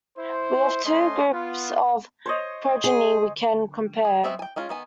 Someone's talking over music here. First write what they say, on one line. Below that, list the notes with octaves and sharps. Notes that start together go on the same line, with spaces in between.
We have two groups of progeny we can compare.
E4 C5
A3 C#4 C5 D#5 C6
B3 F4
C5 C#5 D#5
G#4
G#4
G#3 B3 C4 F#4 E5
G5 G#5
G#3 C#4 F4
D#3 B3 G#5